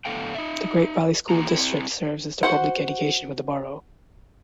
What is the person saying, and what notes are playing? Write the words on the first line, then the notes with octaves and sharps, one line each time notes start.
The Great Valley School District serves as the public education for the borough.
A2 D3 B3 A4 F5 G5
D#4 E5
D#3 A#3 F4 G#4 A#5
C4 E4
F#4 C5 F#5